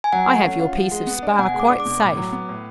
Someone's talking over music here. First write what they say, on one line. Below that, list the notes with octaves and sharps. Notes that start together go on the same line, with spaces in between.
I have your piece of spar quite safe.
G#5
F#3 F#5
A3
C#4
F4
F3
G#3
B3
D4
G#5
B2 F#5
G#3
D6
D4
D6
B2
A2
F#3
B3
A2